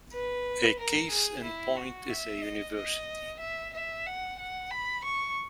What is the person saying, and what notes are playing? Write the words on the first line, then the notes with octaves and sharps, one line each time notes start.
A case in point is a university.
B4
A#4
G#4
E4
F#4
E5
D#5
D#5
E5
E5
F#5
F#5
B5
C#6